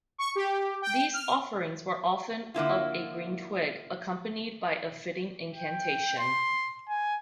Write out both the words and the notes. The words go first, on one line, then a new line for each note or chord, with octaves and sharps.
These offerings were often of a green twig, accompanied by a fitting incantation.
C#6
G4
G5
F6
D3 A#3 E4 F4
G5
C6
G#5